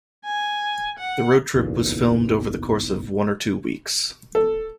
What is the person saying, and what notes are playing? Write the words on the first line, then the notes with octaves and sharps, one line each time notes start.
The road trip was filmed over the course of one or two weeks.
G#5
F#5
F#1 B1 E2 A#2
A4